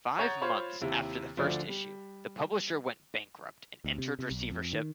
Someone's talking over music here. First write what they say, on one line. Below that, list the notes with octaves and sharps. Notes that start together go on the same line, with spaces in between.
Five months after the first issue, the publisher went bankrupt and entered receivership.
C#5 F#5 A#5 G6 A6
F4 C5 C#5 B5
D#2 C3 E4
D2 D3 F3 D5
G3
D2
C3
C3
B1
F2
D#3